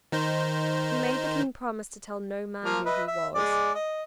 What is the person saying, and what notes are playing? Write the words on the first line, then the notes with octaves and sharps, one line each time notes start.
He made the King promise to tell no man who he was.
D#3 D#4 C5
F3 A#3 F6
B4 D#5 E5
E5
G#3 D5
D#5